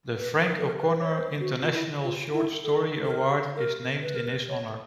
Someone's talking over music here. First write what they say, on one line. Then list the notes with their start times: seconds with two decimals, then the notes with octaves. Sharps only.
The Frank O'Connor International Short Story Award is named in his honour.
0.17 B4
0.48 A#4
0.58 A4
0.67 A#4
0.79 B4
1.01 C#5
1.11 C5
1.40 F#4
1.62 F4
1.72 E4
2.03 F4
2.33 E4
2.64 A4
3.04 A4
3.10 A#4
3.56 A#4
4.02 B4
4.15 A#4
4.27 B4
4.49 C#5